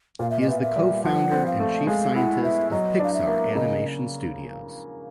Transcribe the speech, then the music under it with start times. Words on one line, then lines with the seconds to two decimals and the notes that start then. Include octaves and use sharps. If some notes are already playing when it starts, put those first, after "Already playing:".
He is co-founder and chief scientist of Pixar Animation Studios.
0.19 A#2 F5
0.30 E5
0.41 D#5
0.48 B3 E5
0.61 E5
0.76 G3
1.04 F3 F#5
1.32 C4
1.46 F5
1.60 A3
1.87 G#3 F5
2.15 E4 F#5
2.43 B3 E5
2.71 F#3 D#5
2.99 D4 F5
3.14 E5
3.27 A#3
3.55 C#3 D#5